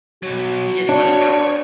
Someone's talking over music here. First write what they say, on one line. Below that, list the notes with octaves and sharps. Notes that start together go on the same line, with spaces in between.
You just wanna go, uh,
B2 F#3 F#4
D4 C#5 A5